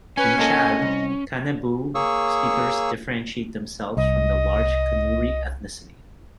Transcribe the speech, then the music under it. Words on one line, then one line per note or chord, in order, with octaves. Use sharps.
In Chad, Kanembu speakers differentiate themselves from the large Kanuri ethnicity.
C#4 B4 G#5
A#2 A#3 A4 D#5
C2
A#3 G#4 C#5 C#6 D#6 E6
C2 D#5